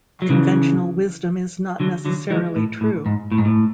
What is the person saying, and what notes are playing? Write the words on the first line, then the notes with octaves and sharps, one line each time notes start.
Conventional wisdom is not necessarily true.
F#3
C#3 E3
D3 F#3
D3 F#3
E3 G#3
A2
A2
G#2
A2
G#2
A2